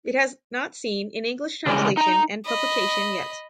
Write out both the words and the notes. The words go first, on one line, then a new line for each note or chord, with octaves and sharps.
It has not seen an English translation and publication yet.
C#3 E3 G3 G#3
D#4 A#5
D#5 B5